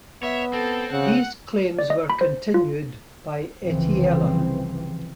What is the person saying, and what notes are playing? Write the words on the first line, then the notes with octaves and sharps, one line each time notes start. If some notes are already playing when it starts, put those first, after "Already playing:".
These claims were continued by Etteilla.
B3 C#5 E5
C4 A4
C#3 F#5
D5
D#5
B5
C5
F4
C2 C#3 E3 F3 C4